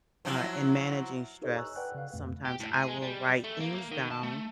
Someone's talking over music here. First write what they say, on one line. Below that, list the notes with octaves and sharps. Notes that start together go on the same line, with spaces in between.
uh, in managing stress, sometimes I will write things down,
F3 F#3 E4
D#4 G4 A4 B4 C#5 D#5
G#5 A#5 C#6 E6 F#6
B4 D5 F#5 G5 F#6
C#3 F5
F2 A#2 A3
G4
A2
G#4
G#3
G3
A3
A#3
A#3
D#3
A5
A3